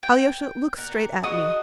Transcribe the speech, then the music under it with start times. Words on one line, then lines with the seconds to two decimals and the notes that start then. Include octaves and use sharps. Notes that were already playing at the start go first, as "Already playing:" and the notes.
Alyosha, look straight at me!
0.03 G5
0.77 A#4 D5 F#5
1.23 G#3 D4 D#4 F#4 D#6